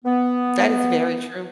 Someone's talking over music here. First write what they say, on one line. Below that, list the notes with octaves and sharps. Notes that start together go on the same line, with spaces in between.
That is very true.
B3